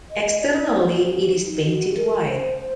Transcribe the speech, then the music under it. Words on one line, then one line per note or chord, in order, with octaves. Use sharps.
Externally it is painted white.
D#5
D5
C5
F#4
D#4
F#4
A#4
C5
C5